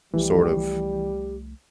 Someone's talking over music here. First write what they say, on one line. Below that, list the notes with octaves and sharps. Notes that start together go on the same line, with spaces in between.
sort of
C2 E3 F3 G3 A3 G4